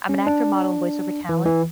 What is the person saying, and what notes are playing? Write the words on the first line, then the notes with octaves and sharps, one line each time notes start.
I'm an actor, model, and voice-over talent,
C#4
D4
E3
E3